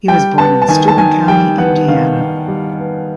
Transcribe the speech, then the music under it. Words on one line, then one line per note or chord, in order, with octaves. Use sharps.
He was born in Steuben County, Indiana.
G3 G5
B3 A5
A5
D#3 G#5
A5
D#3 G#5
G3 G5
B3 F#5
D#3 F5
D#3
G3
B3